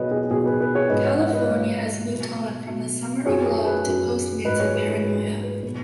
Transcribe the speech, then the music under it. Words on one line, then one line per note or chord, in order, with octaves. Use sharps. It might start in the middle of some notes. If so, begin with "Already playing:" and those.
California has moved on from the Summer of Love to post-Manson paranoia.
Already playing: B2 F#3 G#4 B4 C#5 D#5
G#4
B2 F#3 G#4
B4
B4
G#4 C#5
G#2 F#3 B4 D#5
C#5 F#5
C#5 F#5
B4 D#5
G#2 F#3
B2 F#3 B4
B2 F#3
F#2 F#3 G#4 C#5
G#4
B4
F#2 F#3
G#2 F#3 B4 D#5
G#4 C#5
B4
G#4
G#2 F#3 B4
B4
B4
B2 F#3 B4